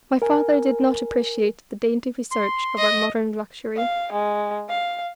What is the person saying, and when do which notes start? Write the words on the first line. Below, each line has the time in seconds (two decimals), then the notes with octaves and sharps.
My father did not appreciate the dainty research of our modern luxury.
0.22 A#4 G#5
2.31 C6
2.78 D#5
3.77 F5
4.12 G#3
4.69 F5